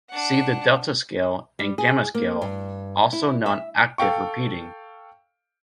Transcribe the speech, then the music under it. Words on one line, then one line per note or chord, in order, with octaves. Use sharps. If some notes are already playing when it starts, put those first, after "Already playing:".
See the Delta scale and Gamma scale, also non-octave repeating.
D4 F#5
G3
G#4
A#3
G2
E4
E5
A4 F5 G5 C#6